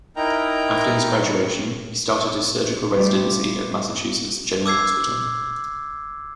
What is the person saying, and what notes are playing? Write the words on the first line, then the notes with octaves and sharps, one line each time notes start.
After his graduation, he started his surgical residency at Massachusetts General Hospital.
D#4 E4 A#4 G5 A#5
G3 A3 F4 G4
D6 E6 G#6 C7